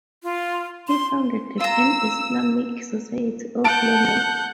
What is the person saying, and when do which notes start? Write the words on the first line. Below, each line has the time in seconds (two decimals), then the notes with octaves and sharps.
He founded the Pan Islamic Society of London.
0.23 F4
0.88 C6
1.60 F4 A#5 E6
3.64 F#5 A5 G6 D7